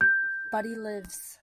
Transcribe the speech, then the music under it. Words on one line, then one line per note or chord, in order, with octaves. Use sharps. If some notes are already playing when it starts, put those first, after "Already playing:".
But he lives.
G6